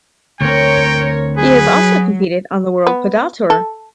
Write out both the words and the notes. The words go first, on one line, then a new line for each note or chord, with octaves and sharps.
He has also competed on the World Padel Tour.
D2 C4 A#4 C#5 G5
F#3 G#4 B4
B3
A4